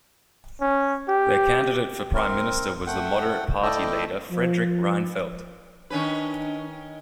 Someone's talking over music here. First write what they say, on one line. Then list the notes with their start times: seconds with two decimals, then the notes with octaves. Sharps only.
Their candidate for Prime Minister was the Moderate Party leader, Fredrik Reinfeldt.
0.61 C#4
1.09 G4
2.15 C4 A#4
2.86 A3 F#5 G5
3.62 A3 E4 A4 D5 D#5 G5
4.31 F3
5.90 D#3 C#4 D4 B4